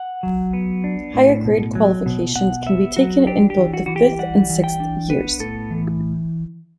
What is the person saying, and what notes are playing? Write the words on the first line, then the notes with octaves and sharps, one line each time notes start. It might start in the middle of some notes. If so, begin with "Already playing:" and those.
Higher Grade qualifications can be taken in both the fifth and sixth years.
Already playing: F#5
F#3
B3
D4
A2
B2
F#3
B2
B2 F#5
B3 E5
F#3 F#4
D4 G4
G4
E3
F#4
E3 F#4
G4
G3 F#5
E3
G5
D4
B3 B4
A2 A4
E3